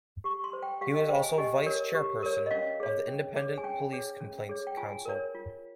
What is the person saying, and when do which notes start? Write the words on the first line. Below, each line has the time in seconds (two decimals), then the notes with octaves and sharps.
He was also vice-chairperson of the Independent Police Complaints Council.
0.24 G4 C#6
0.44 C6
0.53 C5
0.62 G5
0.81 G4 F5
0.95 D#5
1.09 C5 G5
1.23 G#5
1.38 G4 D#5
1.66 A#4 C#5
1.95 G4
2.23 A#4 C#5
2.46 D#5
2.51 C#4 F5
2.80 G#4 C#5
3.08 C#4
3.36 G#4 C#5
3.58 G#5
3.64 C#4 G5
3.93 G#4 C#5
4.21 C#4
4.49 G#4 C#5
4.67 G5
4.77 F4 G#5
5.05 A#4 C#5
5.35 F4